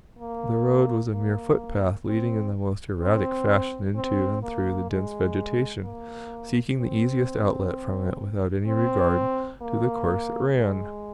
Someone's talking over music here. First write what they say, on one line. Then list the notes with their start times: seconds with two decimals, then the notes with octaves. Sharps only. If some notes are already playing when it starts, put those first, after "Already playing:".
The road was a mere footpath, leading in the most erratic fashion into and through the dense vegetation, seeking the easiest outlet from it without any regard to the course it ran.
0.19 A#3
1.12 A#3
2.06 C4
3.00 C4
3.95 C4
4.43 A#3
4.90 G#3
5.84 A#3
6.79 C4
8.67 C4
9.61 A#3
10.56 G#3